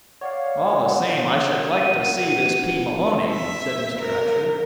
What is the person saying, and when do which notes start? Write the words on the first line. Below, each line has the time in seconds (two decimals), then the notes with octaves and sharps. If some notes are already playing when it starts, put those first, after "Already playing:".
"All the same, I should like to see this P. Maloney," said Mr. Asher.
0.21 C#5 D5 F5 F#5
1.72 D#7
3.32 E5
3.99 A#4